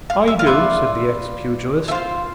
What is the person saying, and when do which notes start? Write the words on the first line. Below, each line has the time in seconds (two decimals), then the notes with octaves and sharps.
"I do," said the ex-pugilist.
0.10 F5
0.27 E5
0.39 F5
0.46 F4 B4 D5 E5
1.88 E5
1.91 F4 C5 F5